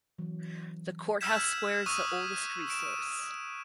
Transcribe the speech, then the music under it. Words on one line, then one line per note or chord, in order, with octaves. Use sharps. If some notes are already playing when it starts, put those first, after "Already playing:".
The courthouse square is the oldest resource.
E3 F#3
E6 F6 G6 G#6 B6 E7
C#6 D#6 E6 F#6 D#7
D7 E7